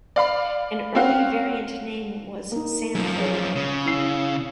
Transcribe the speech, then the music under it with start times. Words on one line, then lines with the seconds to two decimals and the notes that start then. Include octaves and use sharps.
An early variant name was "Sanford".
0.16 D5 F5 B5
0.95 C4 C#4 F#4 F5 G5
2.52 A#3 D#4
2.95 F#2 F3
3.19 G#4 C#5
3.56 C#3
3.86 E4 E6 C7